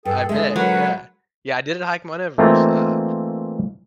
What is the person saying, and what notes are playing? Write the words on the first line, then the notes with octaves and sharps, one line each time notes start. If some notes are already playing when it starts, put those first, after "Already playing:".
I bet, yeah. Yeah, I didn't hike Mount Everest, uh,
G2 G#4 A4 G5
D3 G#3 G#4 E5
F#3 A#4 B4 C#5
E3 A3 A#3 C4 D#4 F4